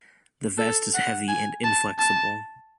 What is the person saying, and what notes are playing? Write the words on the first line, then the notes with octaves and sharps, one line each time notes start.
The vest is heavy and inflexible.
A4
F#5
G#5
A5
A5